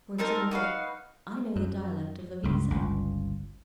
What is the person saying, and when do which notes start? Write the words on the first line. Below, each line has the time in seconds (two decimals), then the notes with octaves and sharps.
For example, I know the dialect of Iviza.'
0.18 C4 D#4 A#4 A5
0.51 D#4 F#4 B4 F5
1.56 F#2
2.44 C#2 G2
2.70 G1 C#2